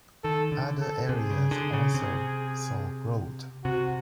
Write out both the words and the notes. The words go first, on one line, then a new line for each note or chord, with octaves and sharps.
Other areas also saw growth.
D#3 A4
D3
A4
C3 G#4
C#3
D3
C#3
C3
C3 F#4